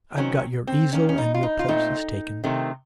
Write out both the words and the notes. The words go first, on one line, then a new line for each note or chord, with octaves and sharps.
I've got your easel, and your place is taken.'
D#3 F#3 C4 C#4
C4
D#3 A#3 C#4
C#4
D#4
F4
D#4
F4
A#2 A3 C4 D#4
C3 D#3 A3 C4